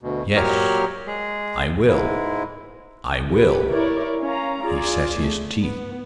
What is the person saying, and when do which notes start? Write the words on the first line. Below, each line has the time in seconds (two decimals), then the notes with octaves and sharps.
"Yes;--I will!--I will!" He set his teeth.
0.01 D2 B2
0.35 A#2 F#3 G4 A#4 C#5 F6
1.07 G#3 G#4
1.89 G#2 G#3 E4
3.30 G4 B4
3.68 E4 A#4 C#5 D5
4.21 C#4 F5 A#5
4.62 F4 G#4 D5
5.19 A3
5.61 B3